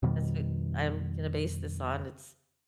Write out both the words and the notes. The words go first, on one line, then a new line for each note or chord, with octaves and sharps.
that's what I'm gonna base this on, it's,
F2 B2 D#3 G3